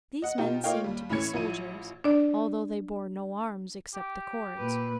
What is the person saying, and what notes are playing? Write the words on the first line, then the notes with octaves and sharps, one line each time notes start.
These men seemed to be soldiers, although they bore no arms except the cords.
D#5 F#5
B2 D#4 F4 G4
A#3 F4 C#5 D#5 F5 G5
D#2 G3
A2 E3 C#4 C#5 G#6 C#7
A1 F3 E4 D#7
D4 D5
G4
A#2 B4